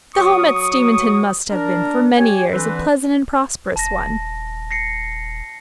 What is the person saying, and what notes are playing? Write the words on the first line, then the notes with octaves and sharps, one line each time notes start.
The home at Steventon must have been, for many years, a pleasant and prosperous one.
F#3 C#6 D#6
D4 A#4
G4 C#5 G#5
D3 E3 C4 B4
D#1 A5 A#6
A#6 C7 C#7